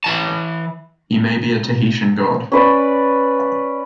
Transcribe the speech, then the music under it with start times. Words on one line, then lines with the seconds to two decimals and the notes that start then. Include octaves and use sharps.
He may be a Tahitian god.
0.04 E3 A5
2.52 C#4 B4 D5